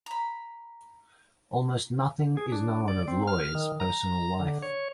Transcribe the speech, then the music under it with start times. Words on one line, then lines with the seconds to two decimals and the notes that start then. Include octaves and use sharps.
Almost nothing is known of Loye's personal life.
0.06 A#5 B5
2.37 G#4
2.52 D4
2.88 D5
3.08 C4
3.27 F6
3.55 D#3
3.80 A#5
4.40 D3
4.62 C#5